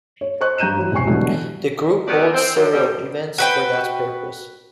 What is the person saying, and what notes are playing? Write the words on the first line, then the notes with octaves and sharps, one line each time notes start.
The group holds several events for that purpose.
C#5
C5 D#5 C#6 F#6
G2 A#5 G6 D#7 E7
E3 F#3
E1 C3 G5 G#5 C#6 C7
G#2 B2 D3 E3 F#3 G3
D#2 B2 D#3 B3 D5
C4
F#2
B2 G3
F#4 B4 G5